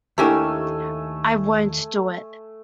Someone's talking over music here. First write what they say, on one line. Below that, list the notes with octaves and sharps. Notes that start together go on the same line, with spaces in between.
I won't do it.
D#2 A3 D4 E4 G4 A#4 G#5 E6